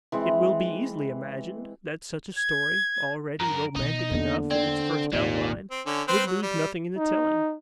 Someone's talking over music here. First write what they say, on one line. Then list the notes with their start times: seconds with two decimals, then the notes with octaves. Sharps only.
It will be easily imagined that such a story, already romantic enough in its first outline, would lose nothing in the telling.
0.12 E3 G#3 C4
2.37 G#6
3.40 F#2 A#4 A#5
3.76 B2 D#3 D#4
4.11 E2 D3 A#3
4.51 C4 D5
5.13 G#1 D#2 A#2 D5
5.71 C4
5.86 D3 C#4
6.08 C4 B4 C5
6.27 F#3
6.42 G3
6.98 D#4